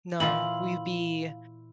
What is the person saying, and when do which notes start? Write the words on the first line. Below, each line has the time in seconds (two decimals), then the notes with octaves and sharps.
No. We'd be,
0.20 A#2 E3 E4 F4 F5 F#7